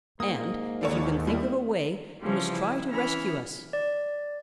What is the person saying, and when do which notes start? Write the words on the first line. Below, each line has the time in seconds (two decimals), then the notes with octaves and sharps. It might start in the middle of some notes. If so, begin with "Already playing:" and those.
And, if you can think of a way, you must try to rescue us.
0.20 G#2 A#3 D#6
0.81 D#2 D4 A4 C#5
1.27 G3 E4
2.21 C#3 E3 F3 G3 C4 C#4
2.53 E4
2.88 E3 C#4 E4 B5 F6
3.73 D5